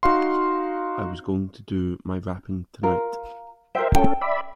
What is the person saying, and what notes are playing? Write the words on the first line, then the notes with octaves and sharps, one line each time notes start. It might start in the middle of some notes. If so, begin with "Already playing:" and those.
I was going to do my wrapping tonight.
D#4 F#4 F5 C6
F4 A#4
A#4 C5 D#5 E5 G5
C#4 A4 G5 A5
D5 E5 B5